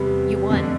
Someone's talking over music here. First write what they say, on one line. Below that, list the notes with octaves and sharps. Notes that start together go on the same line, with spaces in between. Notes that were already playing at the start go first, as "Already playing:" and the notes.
You won.
Already playing: E2 C3 G3 B3
F2 D3 A3 D4